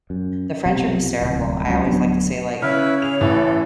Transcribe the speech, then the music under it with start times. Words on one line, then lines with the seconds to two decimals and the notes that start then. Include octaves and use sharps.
the French are hysterical. I always like to say, like,
0.10 F#2
0.66 B1 F2 C3
1.21 D1 C2
1.66 C#2 C#3 F3 F#3
1.85 D1 F#3 B3 D4
2.62 C#3 E4 B4 C#5 F6
3.02 G#4 F7
3.21 A1 E3 A4